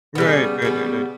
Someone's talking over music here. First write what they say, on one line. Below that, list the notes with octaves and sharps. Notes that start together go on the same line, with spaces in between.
Right, right, right, right.
C#3 G3 B3
C#3 G3 B3